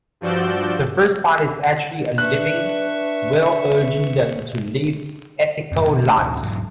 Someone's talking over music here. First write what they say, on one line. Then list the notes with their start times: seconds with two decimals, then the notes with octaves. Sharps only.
The first part is actually a living will urging them to live ethical lives.
0.21 G2 F3 F#4 D5 E6 G6
2.18 D4 B4 E5 C#6 F#6
5.72 F2 G#2 B2
5.86 B2
6.03 D3 A3
6.17 A1 D2 D3
6.43 E1 G#2 F#3